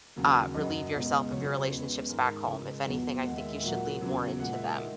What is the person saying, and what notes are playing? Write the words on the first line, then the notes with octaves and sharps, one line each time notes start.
uh, relieve yourself of your relationships back home. If anything, I think you should lean more into them,
D#2 C#3 F#3
F#2 C#3 F#3 D#5
C#2 B2 G#3
C#2 C#3 F#3 C#5
E2 C#3 G#3 B4
G#2 D#3 G#3 A#4
C#2 C#3 G#3
E2 B2 F#3
D#2 D#3 G#3 F#5
E5
E5
A#2 F#3 F#5
E2 C#3 F#3
A#2 G#3 F#5
E5
D#3 G#3